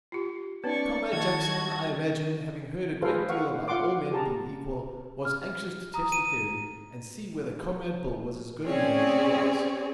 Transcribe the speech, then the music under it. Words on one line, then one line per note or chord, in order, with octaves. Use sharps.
'Comrade Jackson, I imagine, having heard a great deal about all men being equal, was anxious to test the theory, and see whether Comrade Bill was as good a man as he was.
F4 G4
B3 C#4 D#4 B4 C#5 D5 A5 C#6
D#3 E4 F#4 D#5 A5 G#6
F4 G#4 A4 B4 C5 F5
F5 F#5 C#6
F4 F5 F#5 C6 D6
G4 G#4 A5 A#5
F6
A#5 D#6
D#7
C4 C#4 G#4 C#5 D5